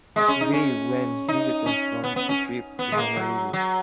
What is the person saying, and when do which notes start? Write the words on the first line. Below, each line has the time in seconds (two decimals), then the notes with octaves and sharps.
McVeigh when he returns from a trip to Honolulu.
0.16 G#3
0.28 C#4
0.41 D#4
0.53 C#4
1.29 D#4
1.66 C#4
2.04 B3
2.16 B3
2.29 C#4
2.79 B3
2.92 G#3
2.97 A#3
3.16 F#3
3.53 F#3